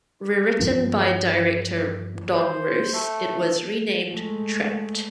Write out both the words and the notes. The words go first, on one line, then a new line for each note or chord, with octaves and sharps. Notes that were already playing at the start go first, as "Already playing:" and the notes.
Rewritten by director Don Roos, it was renamed "Trapped".
G2 F3 C#4
C5
A3
G#3 A3